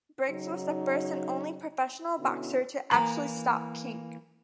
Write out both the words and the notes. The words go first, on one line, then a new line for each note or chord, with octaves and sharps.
Briggs was the first and only professional boxer to actually stop King.
C#3 F#3 D#4
B2 D3 B3 C#4 E4 F#4
E3 A#3 A#5